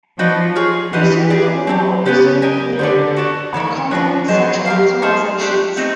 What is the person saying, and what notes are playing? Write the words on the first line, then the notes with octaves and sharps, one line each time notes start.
"Presumed abort" or "Presumed commit" are common such optimizations.
F3 D#4 F#4 B4 D5
F4 G#4 C#5
E3 G4 B4 D#5 F#5
G#4 B4 D5
F#3 C4 E4 G4
C#3 B3 D#4 G4 B4
G4 A#4 D#5 G#5
D3 G4 B4 D5
F#4 A4 D5
D#3 E4 A4 C#5
F3 D4 F#4 B4
F#3 B3 D#4 G#4 C5
G4 A#4 D5 F5
D#4 G#4 C5 F5
A3 D4 G4 B4
A3 C4 D#4